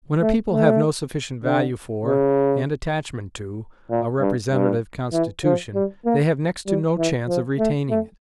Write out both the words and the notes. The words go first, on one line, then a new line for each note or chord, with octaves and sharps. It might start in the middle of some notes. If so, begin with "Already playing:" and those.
When a people have no sufficient value for, and attachment to, a representative constitution, they have next to no chance of retaining it.
A3
A3
D3
C#3
A#2
G2
G2
E3
F3
G3
A#3
G3
E3
F3
A3
A3